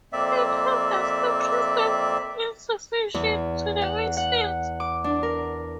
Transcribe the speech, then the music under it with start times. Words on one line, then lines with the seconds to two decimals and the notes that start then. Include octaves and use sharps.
At harvest, the priests went in succession to the maize fields.
0.13 F2 A#3 C4 D5 E5
3.14 E2
3.82 F#5
4.17 F#5
4.80 D6
5.04 D4
5.23 A#4